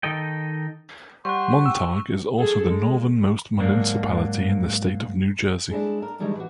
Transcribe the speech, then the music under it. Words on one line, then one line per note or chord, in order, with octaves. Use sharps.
Montague is also the northernmost municipality in the state of New Jersey.
D#3 D#4 A4 D#5 G5
G3 C5 F#5 C#6 F#6
G4 E6
G#4 A4
G#3
G#2 F#3 A#3 D4
G#3 D4 E4 G#4
D4 A#4
D#3 E3 G3 G#3 D4 D#4
E3 F#4